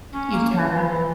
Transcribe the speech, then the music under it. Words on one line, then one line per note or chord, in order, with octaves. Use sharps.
You kinda
C#4
A#3
F#3
E3
E3